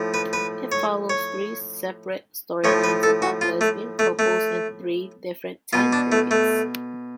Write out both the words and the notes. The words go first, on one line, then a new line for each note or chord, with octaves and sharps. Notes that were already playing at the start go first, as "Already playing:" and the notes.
It follows three separate storylines about lesbian couples in three different time periods.
Already playing: A2 F3
B4
B4
C#5
C#5
A2 F3 C#5
B4
A4
F#4
F4
A3
A3
A3
B2 F4
D4
A3
A3